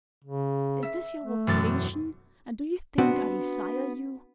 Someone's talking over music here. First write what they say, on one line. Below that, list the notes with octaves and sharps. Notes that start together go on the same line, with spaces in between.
Is this your vocation and do you think I desire you?
C#3
E5
A3
E1 F#2 A6
B3 C4 D4 F#4